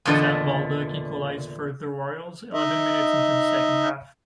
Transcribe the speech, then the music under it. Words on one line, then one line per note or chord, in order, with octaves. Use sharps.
Sam Baldock equalised for "the Royals" eleven minutes into the second half.
E2 A#2 D3 A4 D#5
D#4 D#5 E5